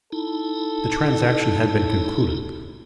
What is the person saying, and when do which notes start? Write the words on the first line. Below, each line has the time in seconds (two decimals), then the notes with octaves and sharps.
The transaction had been concluded.
0.12 D#4 E4 A4